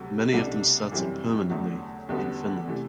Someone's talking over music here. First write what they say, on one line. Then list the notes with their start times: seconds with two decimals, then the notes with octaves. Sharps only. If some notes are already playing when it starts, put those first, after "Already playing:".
Many of them settled permanently in Finland.
Already playing: D2 C3 F#3 A3
0.32 C2 B2 G3 D4 A4
0.92 F#2 E3 G3 C4
1.50 E2 D3 F#3 A3
2.09 E2 D3 G3 B3 F#4
2.68 C3 E3 A3